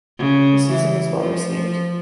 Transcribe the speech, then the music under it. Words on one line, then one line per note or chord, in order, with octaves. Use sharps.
The season was well received.
C#3
E3
F3